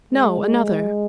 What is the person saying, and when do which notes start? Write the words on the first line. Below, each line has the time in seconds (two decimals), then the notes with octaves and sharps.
"No, another."
0.13 G#3